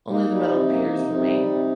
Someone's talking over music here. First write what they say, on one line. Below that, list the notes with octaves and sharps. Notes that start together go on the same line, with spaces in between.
Only the metal piers remain.
A#3 D#4
G3
C3
A#3
C3
C3
G3
C3